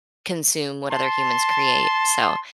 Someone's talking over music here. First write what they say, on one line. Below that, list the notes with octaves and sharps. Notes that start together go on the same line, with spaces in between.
consume what other humans create. So
A5 C6